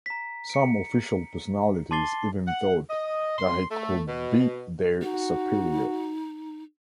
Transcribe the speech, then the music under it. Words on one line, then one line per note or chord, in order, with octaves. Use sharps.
Some official personalities even thought that he could be their superior.
A#5 B6
C#7 D7
A5 C6 D6 A6 C7 G7
F#5
D#5
C6
A3
B2
D#4 F#4